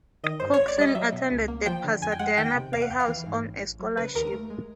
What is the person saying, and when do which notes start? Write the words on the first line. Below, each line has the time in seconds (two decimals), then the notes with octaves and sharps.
Cookson attended the Pasadena Playhouse on a scholarship.
0.24 D#3 D#5
0.40 G2 C5
0.54 C#5
0.59 A1
0.68 D5
0.78 G3 D#5
0.95 F#3 E5
1.13 B2
1.30 C#2
1.48 A#3
1.66 F3 G5
1.84 D3
2.02 F2 G#5
2.12 G5
2.19 G#3 F#5
2.37 D#3 G5
2.55 C3
2.73 E2 F5
2.82 F#5
2.90 E2 G5
3.00 F5
3.08 E3
3.26 G#2
3.44 A1
3.62 A1
3.79 F#3
3.97 C#3 B4
4.15 D#2 A#4
4.32 A3
4.50 G#3